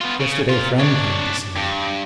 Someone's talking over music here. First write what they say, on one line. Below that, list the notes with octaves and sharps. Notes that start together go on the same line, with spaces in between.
Yesterday a friend came to see me.
B3 F4
C#3
A#2 F4
D4 C#5
G2